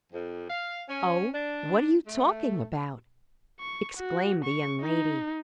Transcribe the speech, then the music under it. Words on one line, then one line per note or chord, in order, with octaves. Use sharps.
"Oh, what are you talking about?" exclaimed the young lady.
F2
F5
C#4
D4
A3
C#6
F#4
C#6
D#4